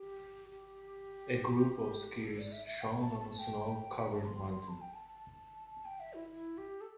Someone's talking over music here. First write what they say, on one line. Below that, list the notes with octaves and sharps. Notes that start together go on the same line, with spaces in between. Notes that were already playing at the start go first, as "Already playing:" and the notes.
A group of skiers shown on a snow covered mountain.
Already playing: G4
G4
A4
D5
E5
E5
G5
A5
A5
G5
E5
A5
C6
C6
C6
A5
G5
A5
A5
G5
E5
E4
E4
G4
A4